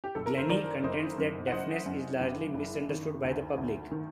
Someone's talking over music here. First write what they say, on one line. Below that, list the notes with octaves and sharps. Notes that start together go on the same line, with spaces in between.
Glennie contends that deafness is largely misunderstood by the public.
G4
F#1 A4
A#4
C5
D#3 A#4 D5
F#1 C5 D#5
F#2
F#5
F#1 C5 D#5
F#2
F#1
F#1
D#3
D2
D2
D#3